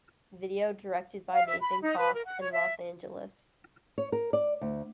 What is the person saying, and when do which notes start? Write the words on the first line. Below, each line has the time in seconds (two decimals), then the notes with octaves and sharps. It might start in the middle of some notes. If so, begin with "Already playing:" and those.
Video directed by Nathan Cox in Los Angeles.
1.33 F5
1.47 E5
1.61 B5
1.82 D#4
1.98 B4
2.14 A#4
2.25 F#5
2.41 C#5
2.53 E5
3.98 C#5
4.12 A#4
4.33 D5
4.61 D2